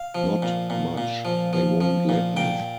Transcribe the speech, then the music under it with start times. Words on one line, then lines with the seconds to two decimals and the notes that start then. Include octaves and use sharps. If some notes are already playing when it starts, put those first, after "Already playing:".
Not much; they won't let me.
Already playing: F5
0.15 F3
0.42 A#2
0.70 A#2
0.98 A#2
1.25 F3
1.53 F3
1.81 F3
2.09 A#2
2.37 A#2 G5